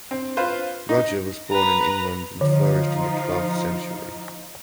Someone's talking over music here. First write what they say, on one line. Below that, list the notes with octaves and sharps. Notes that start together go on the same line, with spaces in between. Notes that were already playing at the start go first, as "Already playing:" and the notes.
Roger was born in England and flourished in the twelfth century.
C4
F4 B4 C5
D#4
B4 A#5
D3 F3 D#4 F4